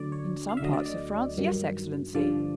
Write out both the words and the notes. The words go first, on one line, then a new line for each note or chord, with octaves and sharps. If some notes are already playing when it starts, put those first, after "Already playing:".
"In some parts of France--yes, excellency."
Already playing: D2 D3 F#3 D5
C#5
F5
E5
D2 D3 F#3 D#5
D5
D5
G2 D#3 F#3
G2 D3 F3 D5